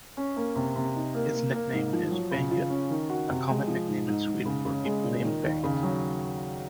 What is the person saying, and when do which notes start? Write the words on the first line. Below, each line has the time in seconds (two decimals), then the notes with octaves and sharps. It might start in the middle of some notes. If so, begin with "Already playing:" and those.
His nickname is "Bengan", a common nickname in Sweden for people named Bengt.
0.17 C#4
0.36 A#3
0.55 C3
0.75 C3
0.95 D#4
1.14 A#3
1.34 A#3
1.53 A#3
1.73 G#2
1.93 F3
2.11 F#3
2.31 C#3
2.51 F4
2.70 C#4
2.90 D#3
3.09 F#4
3.29 C3
3.49 G#3
3.67 F3
3.88 G#2
4.07 G#2
4.27 G#2
4.45 C#3
4.65 C#3
4.85 G#3
5.04 A#2
5.23 D#3
5.44 D#2
5.63 C#3
5.83 F#3